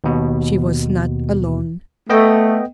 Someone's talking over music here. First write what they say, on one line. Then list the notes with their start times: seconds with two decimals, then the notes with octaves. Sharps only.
She was not alone.
0.04 D#2 B2
2.10 A3 B3 D#5 G5